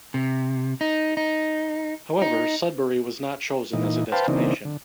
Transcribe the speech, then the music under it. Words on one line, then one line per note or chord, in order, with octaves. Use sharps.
However, Sudbury was not chosen as a destination.
C3
D#4
D#4
D#4
A#2 E3 D#4
B4 C5 F5 G5 A5
C#3 E3 A#3 C4 D4 D#4
D3